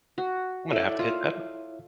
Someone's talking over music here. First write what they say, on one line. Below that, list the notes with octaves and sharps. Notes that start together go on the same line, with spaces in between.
I'm gonna have to hit that up.
F#4
E4 A4 C#5 D5 E5
F4